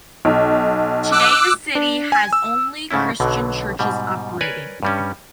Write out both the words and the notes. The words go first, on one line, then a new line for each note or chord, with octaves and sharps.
Today the city has only Christian churches operating.
B1
D6 E6 F#6
D4
G#5
E6
G#2 C#3 A3 C#4 E4
B1 B2 D3 F#3
G#2 B2 G3
A#4 B4 C#5 D5 G#5
G2 G3 C#4